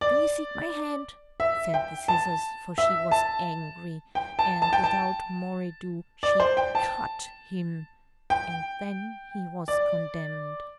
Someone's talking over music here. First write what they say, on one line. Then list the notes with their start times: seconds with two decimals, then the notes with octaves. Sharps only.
"Do you seek my hand?" said the scissors; for she was angry; and without more ado, she CUT HIM, and then he was condemned.
0.01 D5
1.40 E5
1.74 G5
2.08 A5
2.78 E5
3.11 A5
4.15 G5
4.39 A5
4.62 A5
4.73 G5
4.84 A5
6.23 D5
6.40 C5
6.57 G5
6.75 A5
8.30 G5
9.68 D5